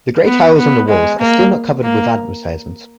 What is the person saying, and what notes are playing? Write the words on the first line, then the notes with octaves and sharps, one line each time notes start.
The grey tiles on the walls are still not covered with advertisements.
B3
B3
G#3
A#3
A#3